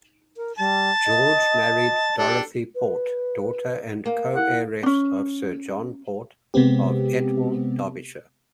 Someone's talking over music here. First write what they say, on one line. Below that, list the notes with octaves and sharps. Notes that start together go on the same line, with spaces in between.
George married Dorothy Port, daughter and co-heiress of Sir John Port of Etwall, Derbyshire.
A#4
G3 A5
D#5
D4 G4 A4
B4
A#3
E4 F#5
C#4 D4
C3 G#3 B3 C4 G4